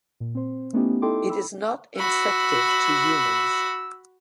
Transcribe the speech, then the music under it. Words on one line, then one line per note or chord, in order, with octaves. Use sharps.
It is not infective to humans.
A#2
C4 C5
A3 B3 C#4 D#4 E4 G4
D#4 E4 A4 G5 C6 D6
B5 E6
F#4 B5 E6